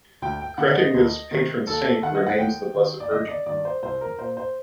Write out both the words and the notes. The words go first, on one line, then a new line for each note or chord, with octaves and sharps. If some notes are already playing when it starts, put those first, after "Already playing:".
Kretinga's patron saint remains the Blessed Virgin.
D2 G5
G5
D3 F#5
D#5
D2
C3 D#3
D#2 A4
D#3 F#5
D#5
F#5
D#2 G5
D#3
D5
G1 D#5
D5
G2 D#3 D5
C5
C2 C5
A#4
A#2 C5
C5